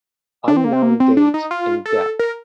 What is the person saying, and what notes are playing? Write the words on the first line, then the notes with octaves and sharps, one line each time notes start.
Unknown date in Dec.
D4
C4
A#3
C4
A#3
C4
D4
D#4
F4
A4
A#4